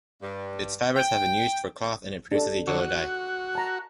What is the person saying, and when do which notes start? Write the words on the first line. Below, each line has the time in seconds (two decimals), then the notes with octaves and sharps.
Its fibers have been used for cloth and it produces a yellow dye.
0.21 G2
0.96 G5
2.32 D4 G4 A4
2.67 D3 F#3 C#5
2.81 F#4
3.55 A5 A#5